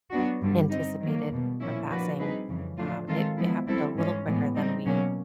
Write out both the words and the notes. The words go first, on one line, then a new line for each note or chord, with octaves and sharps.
anticipated her passing, um, it it happened a little quicker than we
F#3 B3 D4 F#4
G2 D3 G3
G3 C4 D#4
D#3 F#3 A#3
E2 B2 G3
A#2 F3 A#3 C#4 E4
F3 A#3 D4 F#4 B4
G3 C4 D#4 G#4 B4
F2 C#3 E3
A2 F3 A3 D4 F4
D#3 G#3 C4 F4 A4
F3 G#3 B3 E4
G3 C4 E4 A4
G#2 E3 G#3 C#4
A2 E3 G#3 B3
G3 C4 D#4
B2 F#3 A#3 C#4